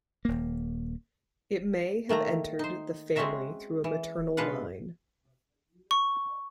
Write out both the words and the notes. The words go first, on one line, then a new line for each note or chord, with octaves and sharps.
It may have entered the family through a maternal line.
D#1 A#3
D#3 A3 A#3 A#5
D#4 C5
G#3 C4 C#4 F#4 E5 A#5
E3
B2 G#3 D4 B4 F5 F#5
C#6